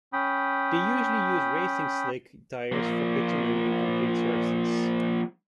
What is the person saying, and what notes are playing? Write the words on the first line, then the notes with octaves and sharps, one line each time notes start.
They usually use racing slick tyres for bitumen and concrete surfaces.
C#4 G5 B5 D#6
F3 A#3